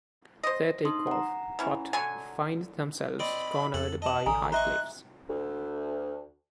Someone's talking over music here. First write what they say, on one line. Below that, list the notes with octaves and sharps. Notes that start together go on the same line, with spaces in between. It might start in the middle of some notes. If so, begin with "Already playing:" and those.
They take off, but find themselves cornered by high cliffs.
C5 D#5
D#4 C6 D#6
F#5 A#5
E3 C#4
D3 F#3 G#5
C4 D5 D#5 B5
F2 A4 F#5
D#5 F#5 A5
A1 D3 G#5 A#5 D#6
C5 D#5 E5 A#5 C#6 F#6
D2